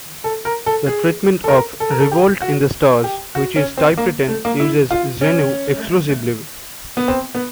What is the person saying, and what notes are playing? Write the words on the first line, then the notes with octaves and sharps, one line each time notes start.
The treatment of "Revolt in the Stars"-which is typewritten-uses "Xenu" exclusively.
A4
A#4
A4
G#4
A4
A#4
A4
A#4
A4
G4
F#4
G4
F#4
C#4
C4
A#3
A3
A#3
E4
F4
C#4
B3
C4
B3